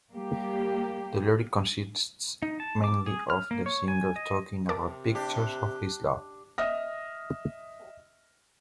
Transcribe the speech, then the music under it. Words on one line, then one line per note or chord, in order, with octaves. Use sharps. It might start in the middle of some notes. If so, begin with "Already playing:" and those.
The lyric consists mainly of the singer talking about pictures of his love.
G3 A#3 G4
D#4
A5
D6
G#4
F6
A#3
C#5
G#5
D#5
C3 A#4 A5 D6
D4 G4
D#5 E5 D#6 F6 A#6